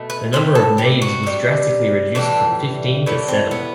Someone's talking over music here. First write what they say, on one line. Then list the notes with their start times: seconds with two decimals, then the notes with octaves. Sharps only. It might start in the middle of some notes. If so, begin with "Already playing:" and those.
The number of naves was drastically reduced from fifteen to seven.
Already playing: B2 A3
0.10 B4
0.33 C3 G3 C5
0.55 A4
0.78 G4
1.02 F#4
1.23 C3 G3
2.15 A2 E3 G3 D4
3.06 A2 E3 G3 B3
3.28 C4
3.51 B3